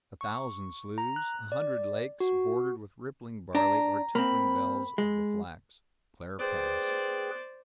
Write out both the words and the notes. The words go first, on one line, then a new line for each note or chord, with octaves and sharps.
A thousand slews, a hundred lakes bordered with rippling barley or tinkling bells of the flax, Claire passed.
C#6
A#5
F#6
D5
F#4
D4 A#5
A#3 C4 B5
G#3
G#4 B4 C5 D5 G5